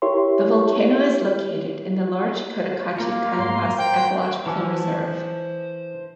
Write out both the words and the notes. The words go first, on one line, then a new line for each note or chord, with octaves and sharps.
The volcano is located in the large Cotacachi Cayapas Ecological Reserve.
E4 G4 A#4 C#5 E5 C6
A#3 F4
G#2 C6
C5 G5
E3 C5 G#5 A5